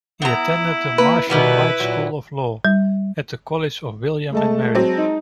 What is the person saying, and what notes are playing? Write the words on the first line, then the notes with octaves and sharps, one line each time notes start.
He attended the Marshall-Wythe School of Law at the College of William and Mary.
B3 E4 A#5
A#3 B4
B2 D#3 G3 B3 E4 B4
A#2 F#3
G3
G#3 A3 D#5 A5
F#3 C4
D#4